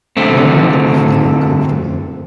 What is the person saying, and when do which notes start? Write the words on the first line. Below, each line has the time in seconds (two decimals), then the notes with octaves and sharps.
Never did we feel uncomfortable.
0.17 D3 A3 C4